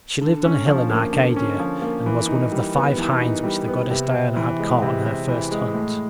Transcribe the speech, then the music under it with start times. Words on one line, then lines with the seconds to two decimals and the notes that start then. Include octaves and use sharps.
She lived on a hill in Arcadia, and was one of the five hinds which the goddess Diana had caught on her first hunt.
0.21 D3
0.44 C#4
0.67 F3
0.90 A#3
1.13 D3
1.36 C#4
1.60 F3
1.82 A#3
2.06 E3
2.28 D#4
2.52 G3
2.75 B3
2.98 E3
3.21 D#4
3.44 G3
3.68 B3
3.91 C3
4.14 C3
4.36 E3
4.60 G#3
4.82 C3
5.06 C3
5.28 E3
5.51 G#3
5.75 A2